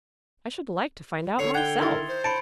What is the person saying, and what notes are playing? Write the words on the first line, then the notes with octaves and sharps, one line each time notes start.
"I should like to find out myself."
D3 C#5 C7 C#7 F7
F#5 G5 G#6 G7
D#3 E4 A#4 C6 A6
C5
A5 B5 C#7 D7